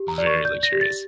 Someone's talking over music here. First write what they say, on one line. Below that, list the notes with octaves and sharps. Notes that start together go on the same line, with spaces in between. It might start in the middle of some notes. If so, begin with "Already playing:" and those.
Very luxurious.
Already playing: G4
A#5
D5
C#6
D5 G6
A#6
G4
A6